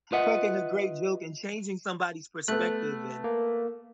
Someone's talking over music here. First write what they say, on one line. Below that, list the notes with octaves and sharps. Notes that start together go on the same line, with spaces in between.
Cracking a great joke and changing somebody's perspective and
F4 B4 D#5 E5 F#5
A3 B3 F#6
A#3